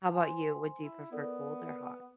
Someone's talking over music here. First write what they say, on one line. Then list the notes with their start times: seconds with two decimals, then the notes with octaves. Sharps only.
How about you? Would you prefer cold or hot?
0.12 C5 G#5 C6
0.80 E4
1.12 B3 A4 A#4 D5